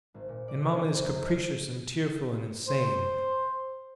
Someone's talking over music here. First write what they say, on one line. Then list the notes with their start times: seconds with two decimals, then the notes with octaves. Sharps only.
And mamma is capricious and tearful and insane!
0.14 G#1
0.29 A#2
0.48 D5
0.62 C2
0.74 B1
0.88 C4
1.03 F#2
1.23 F2
2.67 C5